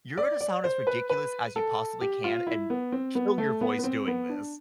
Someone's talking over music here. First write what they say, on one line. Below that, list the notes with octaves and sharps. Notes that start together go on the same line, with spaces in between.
You're gonna sound as ridiculous as you possibly can and kill your voice doing this."
D5
D5
C5
B4
B4
A4
G4
F4
E4
B3
C4
B3
A3
B3
B3
C4
B3
D4